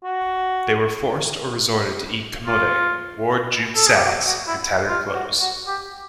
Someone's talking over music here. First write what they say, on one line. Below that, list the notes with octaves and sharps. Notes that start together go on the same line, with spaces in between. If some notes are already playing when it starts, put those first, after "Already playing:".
They were forced or resorted to eat camote, wore jute sacks and tattered clothes.
F#4
F4
A4
G#4
G4
F#4
F#4
E4
F4
F#4
F#4
G4